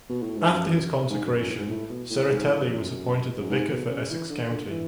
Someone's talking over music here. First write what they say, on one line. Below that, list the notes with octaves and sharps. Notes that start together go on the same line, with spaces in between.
After his consecration, Serratelli was appointed the vicar for Essex County.
B2
A2
G#2
F#2
G#2
F#2
F#2
A2
G#2
A2
B2
A2
G#2
A2
F#2
E2
F#2
F#2
G#2
B2
C#3
E3
D3
D3
E3